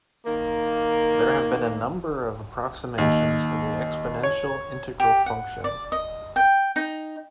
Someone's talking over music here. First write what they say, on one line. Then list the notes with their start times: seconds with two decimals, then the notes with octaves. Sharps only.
There have been a number of approximations for the exponential integral function.
0.26 D#3 A#3
2.98 D#2
4.23 C#5
5.00 G4
5.26 F#5
5.64 D5
5.92 D#5
6.36 G5
6.76 D#4